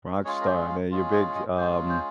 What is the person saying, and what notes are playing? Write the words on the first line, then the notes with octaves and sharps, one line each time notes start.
Rockstar, man, you're big, um
G#3 C#4 F4 C#5
A#4
C5
F5
G#3 C#4 F4
D#5
D#5
G#3 C#4 F4 C5
C5